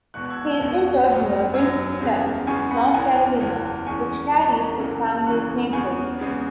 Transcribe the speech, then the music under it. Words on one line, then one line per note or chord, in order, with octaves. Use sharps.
He is interred near Winton, North Carolina, which carries his family's namesake.
E1 E2 B2 B3 C#6 F#6
F#6
E6 G#6
E6 G#6
E1 E2 B2 B3
F#2 F#3 B3
F#2 F#3 B3 E6 G#6
E2 C#3 G#3 B3
E2 C#3 G#3 B3 G#5 C#6
F#5 B5
F#1 E2 E3 G#5
F#1 E2 E3
E2 E3 G#3 C#4 G#5 C#6
E2 E3 G#3 C#4
F#1 E2 C#3 E3
F#1 E2 C#3 E3 C#6 F#6
E2 C#3 G#3 B3 G#5 C#6
E2 C#3 G#3 B3